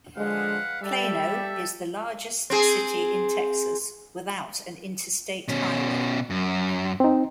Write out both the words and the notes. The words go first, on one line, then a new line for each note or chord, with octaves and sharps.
Plano is the largest city in Texas without an Interstate Highway.
D3 F3 G#3 B4 F5 F#5
G3 G4 A4 E5
C4 G#4
B2 C#4
F#2
C4 D#4